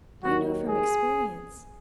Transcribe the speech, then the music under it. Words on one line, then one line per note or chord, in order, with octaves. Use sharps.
"I know from experience."
D#2 D#3 F#3 F#4
G#4